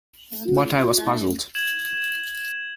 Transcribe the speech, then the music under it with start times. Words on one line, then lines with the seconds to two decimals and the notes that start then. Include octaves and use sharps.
But I was puzzled.
1.55 G#6 E7 F#7